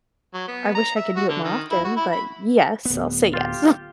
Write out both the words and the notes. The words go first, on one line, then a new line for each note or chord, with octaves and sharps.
I wish I could do it more often, but yes, I'll say yes.
F#3
B3
A#5
E5
F#4
D3
D#3
E4
F#4
E4
B5
D1 B3
F4 G4